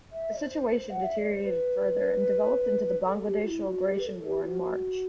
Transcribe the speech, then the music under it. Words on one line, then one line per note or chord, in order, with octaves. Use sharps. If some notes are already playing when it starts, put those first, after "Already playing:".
The situation deteriorated further and developed into the Bangladesh Liberation War in March.
E5
C5
F#5
E5
D5
C5
B4
B4
A4
G4
F#4
E4
F#4
G4
B4
A4
G4
E4
F#4